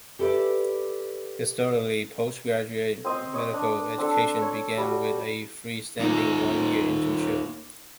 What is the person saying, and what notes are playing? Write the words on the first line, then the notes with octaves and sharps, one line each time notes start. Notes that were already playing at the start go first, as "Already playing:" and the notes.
Historically, post-graduate medical education began with a free-standing, one-year internship.
G4 A4 B4 D5 E5
C4 C5 D#5
C#5 D#5
D4
C4 D4 A4
C#5
G3 F#4
A#3 D#4 F4 A#4